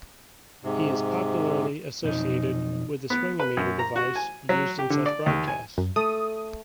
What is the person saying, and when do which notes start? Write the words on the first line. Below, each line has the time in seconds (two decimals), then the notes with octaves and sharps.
He is popularly associated with the swingometer device used in such broadcasts.
0.64 G#2 C3
2.03 B1 F2 D#4
3.10 B3
3.40 B4
3.57 F#2
3.79 A#5
3.96 F#4
4.16 G#5
4.49 F#3
4.79 G4
4.90 D3
5.06 D5
5.26 D#2
5.48 G#5
5.78 F#2
5.96 A3 A4 D#6